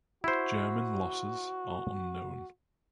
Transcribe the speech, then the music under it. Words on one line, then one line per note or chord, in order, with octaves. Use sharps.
German losses are unknown.
E4 F#4 C5